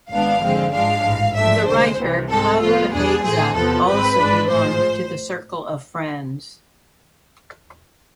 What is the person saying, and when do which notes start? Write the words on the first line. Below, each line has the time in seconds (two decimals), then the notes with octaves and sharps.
The writer Paul Heyse also belonged to the circle of friends.
0.10 G#1 G#2 G#3 B3 D4 F5
0.41 F2 D3 G#3 C4
0.73 G#2 F3 G#3 D4 F5
1.05 A1 G#2 E3
1.36 G#2 F3 A3 D4 E5
1.67 D2 C3 G#3 C5
1.98 C2 C3 E3
2.29 G#2 G#3 C4 A4
2.61 A2 F3 B3 F4
2.93 E2 B2 B3 D4 G#4
3.24 A2 E3 A3 C4 G#4
3.56 E2 C3 F3 B3 A4
3.87 G#1 G#2 G#3 C4 B4
4.18 G#1 G#2 G#3 D4
4.50 A2 F3 G#3 C5